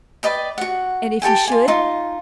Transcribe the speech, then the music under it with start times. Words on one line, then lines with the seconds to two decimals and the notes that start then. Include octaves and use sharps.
"And if he should?"
0.23 B4 D5 D#5 G5
0.58 F#4 F#5
1.22 G4 A4 G5 G#5
1.48 F4 G#5
1.68 D#4 F4